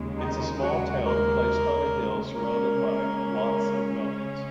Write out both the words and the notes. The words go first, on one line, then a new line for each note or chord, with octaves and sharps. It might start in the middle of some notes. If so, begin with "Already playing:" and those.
It is a small town placed on a hill surrounded by lots of mountains.
Already playing: D#2 C#3 G#3
D#3 D#4
F#3 F#4
A#3 A#4
C#3 G#3 A#3 C#4 A#4